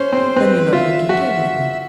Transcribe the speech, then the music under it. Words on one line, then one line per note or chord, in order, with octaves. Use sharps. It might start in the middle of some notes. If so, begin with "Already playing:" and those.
"Then you're not making game of me?"
Already playing: C#4 C5
C4
C4 B4
F4 E5
F#4